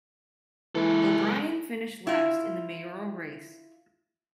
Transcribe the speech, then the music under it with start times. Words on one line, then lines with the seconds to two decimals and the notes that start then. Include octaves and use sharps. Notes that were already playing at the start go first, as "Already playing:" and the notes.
O'Brien finished last in the mayoral race.
0.75 E3 G#3 A4
2.07 E4 F4